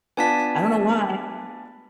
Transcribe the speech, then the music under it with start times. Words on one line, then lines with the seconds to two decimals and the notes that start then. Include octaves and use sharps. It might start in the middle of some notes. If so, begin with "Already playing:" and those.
I don't know why,
0.17 B3 D4 F4 G#5 A5 B6